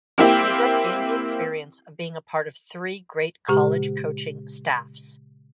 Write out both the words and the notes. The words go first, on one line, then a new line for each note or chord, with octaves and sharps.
Woodruff gained the experience of being a part of three great college coaching staffs.
A#3 C4 E4 G4
A#2 C#3 G#3 G4